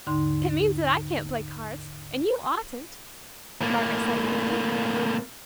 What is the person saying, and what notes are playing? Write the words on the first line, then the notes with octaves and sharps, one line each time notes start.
"It means that I can't play cards, and you oughtn't," Margaret said, laughing.
D#2 G#2 D3 D#4 C6
A2 A#3